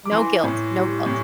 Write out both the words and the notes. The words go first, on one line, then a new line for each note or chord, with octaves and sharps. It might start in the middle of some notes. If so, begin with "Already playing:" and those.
No guilt. No guilt.
D6
E3 C6
A2
G3
A2